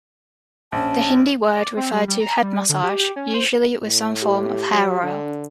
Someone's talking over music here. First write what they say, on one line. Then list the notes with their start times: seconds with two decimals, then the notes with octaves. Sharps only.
The Hindi word referred to head massage, usually with some form of hair oil.
0.72 A#1 C#4 A5
1.56 D5
1.77 C4
1.92 G3
2.08 G3
2.20 A#5
2.42 G3
2.69 D3
2.83 G4
2.99 G4
3.16 C#4
3.34 C5
3.83 A2
4.22 G4
4.70 F#3
5.03 D3 D4